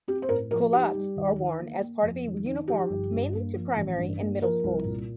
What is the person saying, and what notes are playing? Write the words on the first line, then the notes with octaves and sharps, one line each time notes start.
Culottes are worn as part of a uniform mainly to primary and middle schools.
C4 G4
C5
A2 A#4
F3 A#4
D#4 G4
G3
D#2
D#3
A#3
A#3
F2
D#3
D#4
F3 G4
G1
G2
A#3
F3
A1
G2
A#3
F3 A#4
C2
A#2